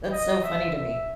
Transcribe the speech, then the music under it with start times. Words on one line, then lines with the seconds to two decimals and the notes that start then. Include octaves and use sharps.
That's so funny to me.
0.12 D#5
0.44 E5
0.75 E5